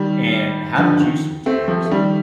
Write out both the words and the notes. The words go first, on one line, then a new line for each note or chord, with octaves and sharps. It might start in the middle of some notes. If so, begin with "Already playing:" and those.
and how did you switch gears?
Already playing: D#3 G3
D3 F3
D#3
A3 C4
F3 A3
A3
D#3 G3